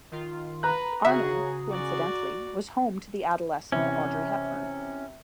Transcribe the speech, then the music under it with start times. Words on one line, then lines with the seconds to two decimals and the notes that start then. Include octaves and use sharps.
Arnhem, coincidentally, was home to the adolescent Audrey Hepburn.
0.12 D#3 F4
0.63 B4 A#5 F#6
1.05 C#3 F#4 G#4 E5
1.69 F#4 D5
3.72 C3 E3 C#4